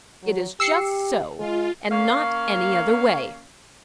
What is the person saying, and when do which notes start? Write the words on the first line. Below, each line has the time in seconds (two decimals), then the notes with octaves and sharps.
It is just so, and not any other way.
0.23 F#3
0.60 G4 E6 C7 C#7
1.39 G#3 F4
1.91 A#3 C#4 C#5 F5